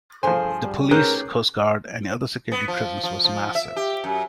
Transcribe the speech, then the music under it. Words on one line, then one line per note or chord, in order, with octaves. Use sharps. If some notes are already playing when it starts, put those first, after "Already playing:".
The police, Coast Guard, and other security presence was massive.
G2 F3 G#4 A4 C5 G#5
G3
C#4 D#4 G4 G#4 A#4 B4 F#6
B3
F3
F3
F3
E5
G4
F#2